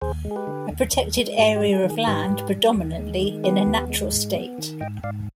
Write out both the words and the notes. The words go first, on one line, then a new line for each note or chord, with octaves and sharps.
A protected area of land predominantly in a natural state.
D#2 G#4 C5
G#3
G#4
G4 B4
D3
D#2
D#2
G#3
G#2 G4
G4
G3
G#4
D#3
G#4
G#2 G4 B4
G#2
G3
D#2
G#3
D#3
B3 G4 B4
D#2
G#3
G#2
B3
D#3
G#2 D#5 G5
G#2 D5 F5